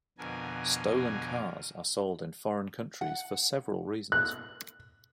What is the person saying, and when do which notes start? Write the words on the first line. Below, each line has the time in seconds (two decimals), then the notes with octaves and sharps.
Stolen cars are sold in foreign countries for several reasons.
0.18 F2 B2 D3 A#4 G#5
3.01 F#5
4.12 F#6